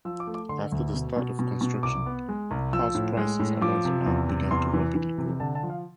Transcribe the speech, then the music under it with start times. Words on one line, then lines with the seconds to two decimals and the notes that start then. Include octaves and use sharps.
After the start of construction, house prices along the line began to rapidly grow.
0.05 F3 E6
0.20 D6
0.27 A3
0.34 D6
0.49 D3 C6
0.72 D2
0.94 B2
1.16 B2
1.39 B2
1.61 B2
1.83 C2 D6
2.06 B3
2.29 G#3
2.51 C2
2.73 F3 E6
2.95 A2
3.17 G#3
3.39 A2
3.61 F3 D6
3.85 C3
4.06 E2
4.29 C3
4.51 E2 C6
4.73 E3
4.95 E3
5.18 C3
5.40 D3 A5
5.55 A5
5.63 F3
5.70 F5